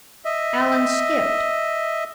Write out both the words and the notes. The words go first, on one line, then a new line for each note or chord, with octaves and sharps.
Allan skipped.
D#5 E5